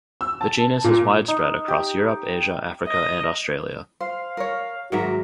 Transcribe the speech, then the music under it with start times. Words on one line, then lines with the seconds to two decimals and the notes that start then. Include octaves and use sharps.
The genus is widespread across Europe, Asia, Africa, and Australia.
0.21 E6
0.41 A5
0.84 A#2
1.28 D#4
1.68 G4
2.88 D#5
4.01 C5 F5
4.37 A#4 C#5
4.92 G#2 D#3 F#3 F#4 A#4 E5 A#5